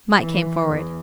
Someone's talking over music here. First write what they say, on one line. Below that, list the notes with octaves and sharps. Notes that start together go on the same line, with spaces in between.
Mike came forward.
E3
E2